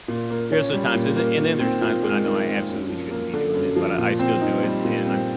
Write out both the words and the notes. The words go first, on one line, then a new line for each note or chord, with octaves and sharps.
there's times and then and then there's times when I know I absolutely shouldn't be doing it, but I I still do it, and I'm
A#2
A#3
C#4
G3
A#2
A#3
D#3
C4
F4
G#3
D#3
C4
F#2
F3
A#3
D3
F#2
F3
A#2
C4
D#4
G3
A#2
C4